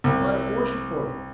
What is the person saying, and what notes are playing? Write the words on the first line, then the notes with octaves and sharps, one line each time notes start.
Quite a fortune for you.
C2